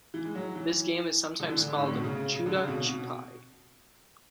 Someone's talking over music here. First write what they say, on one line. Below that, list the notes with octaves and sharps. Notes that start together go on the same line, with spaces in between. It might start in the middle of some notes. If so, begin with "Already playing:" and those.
This game is sometimes called "joota chupai".
E3
G#3
F#3
E3
D3
E3
D3
G#2
A2
B2
C#3
C#3
D3
C#3
B2
B2